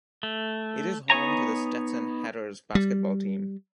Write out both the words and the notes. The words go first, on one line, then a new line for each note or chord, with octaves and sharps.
It is home to the Stetson Hatters basketball team.
A3
B3 D#4 C#5 G#5 A#5
G3